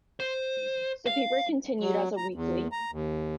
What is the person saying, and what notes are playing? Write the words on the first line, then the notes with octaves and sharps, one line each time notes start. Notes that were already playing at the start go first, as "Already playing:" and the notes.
The paper continued as a weekly.
C5
F5
F#3
A#5
E2
A#5
D#2